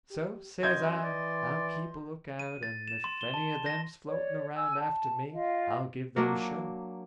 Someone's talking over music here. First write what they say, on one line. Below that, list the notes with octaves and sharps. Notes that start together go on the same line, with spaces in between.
So, says I, I'll keep a lookout, and if any of them's floating around after me I'll give them a show.
G4
F#2 D#5 C6 G6 G#6
E3 D5
D#7
A6
E7
C6
G7
A5
A#6
C#5 D5
G#5 E6
A5
F4 D#5 F5
F#3 A#3 D4